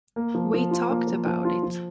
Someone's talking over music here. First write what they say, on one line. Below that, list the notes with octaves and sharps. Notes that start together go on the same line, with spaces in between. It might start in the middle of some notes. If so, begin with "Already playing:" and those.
We talked about it.
A#3
F3
F3
F4
A#3
F3
F3
F4
F3